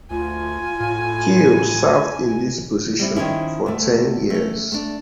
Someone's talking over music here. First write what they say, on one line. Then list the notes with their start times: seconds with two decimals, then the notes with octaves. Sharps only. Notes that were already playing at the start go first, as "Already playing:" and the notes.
Keel served in this position for ten years.
0.11 D2 F4 G#5
0.81 A2
2.99 G3 C4 E4
3.16 D#3 F3 C#4 E4
3.66 D2 A3
4.30 A3 C#4
4.72 A3 D4